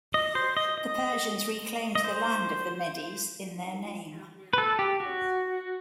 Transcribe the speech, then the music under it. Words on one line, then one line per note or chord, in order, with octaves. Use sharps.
The Persians reclaimed the land of the Medes in their name.
D#5
C5
D#5
D#5
D#5
C5
B4
A4
G4
F#4